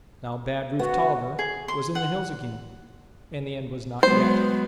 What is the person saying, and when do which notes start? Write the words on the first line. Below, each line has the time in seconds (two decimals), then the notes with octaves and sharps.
Now Bad Rufe Tolliver was in the hills again and the end was not yet.
0.79 B3 F#4
1.39 G#4
1.68 C6
1.95 F#5
4.03 F#3 G#3 B3 C5